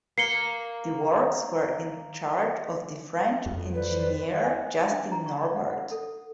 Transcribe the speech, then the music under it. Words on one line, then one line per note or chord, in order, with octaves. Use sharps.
The works were in charge of the French engineer Justin Norbert.
A#3 C7 C#7 G7
F2
B4 C5 D5
G#5
C5
D4
A#5
C#6
F#5
F#5
A4